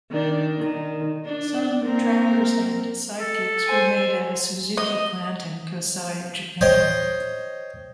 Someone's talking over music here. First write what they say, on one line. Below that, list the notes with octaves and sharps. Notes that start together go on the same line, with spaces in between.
Some Trackers and Sidekicks were made at a Suzuki plant in Kosai, Japan.
D#3 D4 D5
D#3
D4
A#3 C4 A#4
A4
C5 G#5
D#5
C5 C#5 D#5 G5